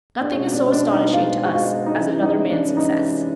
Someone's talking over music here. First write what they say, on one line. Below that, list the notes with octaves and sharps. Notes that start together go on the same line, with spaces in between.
Nothing is so astonishing to us as another man's success.
D4
B2 G#3 C4 C#4
D4
D4
D#4
F4
F#4
F4
D#4
C3 E3 G#3 C#4 E4
D#4
D4
D#4